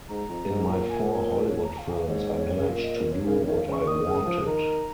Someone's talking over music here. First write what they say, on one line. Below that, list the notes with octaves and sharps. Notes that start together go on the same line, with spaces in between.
In my four Hollywood films I managed to do what I wanted.
G#2 A#5
F2
G#2
A#2
G#5
C#5
A#4
C#5
A#5
F5
G#5
F5
G#2 C#5
C#5
C#3
A#2 F5
D#5
A#4
C#5
C#3 A#4
D#3 C#5
F5
C#3 C#6
D#3 D#6
C#3
F3
D#3 A#5